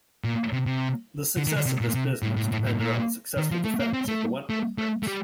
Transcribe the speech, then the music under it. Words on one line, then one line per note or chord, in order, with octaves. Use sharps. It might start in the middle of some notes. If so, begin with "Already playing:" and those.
The success of this business depended on the successful defense of the Wentworth grants.
A#2
C3
C3
D3
D#3
D3
C3
A#2
C3
A2
A2
A2
A2
A#2
D#3
F3
A3
A#3
C4
A3
A3
A3
A3
G3